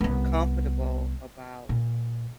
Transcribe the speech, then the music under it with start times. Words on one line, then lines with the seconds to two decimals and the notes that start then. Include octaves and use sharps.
comfortable about,
0.01 C2 B3
1.69 A#2